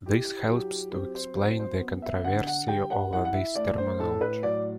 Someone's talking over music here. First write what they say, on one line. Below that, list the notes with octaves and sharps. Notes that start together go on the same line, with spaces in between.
This helps to explain the controversy over this terminology.
E4 G4
F#3 G4
C4 G4
C5
F#3 C5
C5
B3
E5
D3 F#5
F#5
G3 G5
F#5
E4 F#5
F#5
E5
A3 D5
C5
A2 A4
B4
F#3 D5